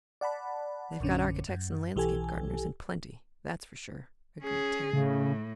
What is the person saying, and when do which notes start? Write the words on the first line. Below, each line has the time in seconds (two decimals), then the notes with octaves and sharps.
"They've got architects and landscape gardeners in plenty, that's sure," agreed Terry.
0.21 D5 F#5 A5 B5
1.00 A#1 F#2 D3 C#4
1.49 F#2
1.96 B1 E3 G4 A4 G#5
4.42 C#4 G#4
4.93 A2 C#3